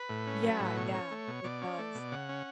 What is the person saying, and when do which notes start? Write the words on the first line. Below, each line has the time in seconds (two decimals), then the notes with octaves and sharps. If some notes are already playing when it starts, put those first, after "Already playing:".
Yeah, yeah, it does.
Already playing: B4
0.09 A2
0.27 C#4
0.43 F#3
0.60 A2 B4
0.77 B2 C#5
0.94 C#4
1.11 A3
1.28 B2
1.44 B2 D5
1.61 C#4
1.78 A3
1.95 B2
2.12 C#3 F#5
2.29 C#4